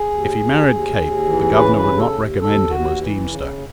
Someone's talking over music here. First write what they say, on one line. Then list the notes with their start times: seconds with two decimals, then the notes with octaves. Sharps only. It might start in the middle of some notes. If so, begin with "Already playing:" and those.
If he married Kate, the Governor would not recommend him as Deemster.
Already playing: G#4
0.10 D#2
0.39 D#2
0.68 D#2
0.96 D#2
1.25 E3
1.54 C#3 B4
1.76 B4
1.83 D#2
1.98 A4
2.12 D#2
2.41 D#2 A4
2.69 D#2 F#4
2.98 E3
3.27 C#3